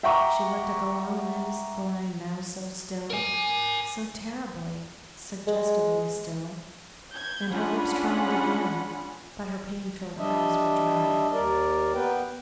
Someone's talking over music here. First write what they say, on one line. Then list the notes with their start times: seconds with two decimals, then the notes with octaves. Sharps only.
She looked at the long limbs lying now so still, so terribly, suggestively still, and her lips trembled again, but her pain-filled eyes were dry.
0.03 E5 F#5 G5 A#5 C#6 D6
3.10 A#4 G#5
5.47 G#3
7.11 G6 G#6
7.52 C#4 D4 F4 G#4 F#5 B5
10.18 G3 D4 D#5 E5
11.33 D#2 A#4 D5
11.94 B3 B4 G5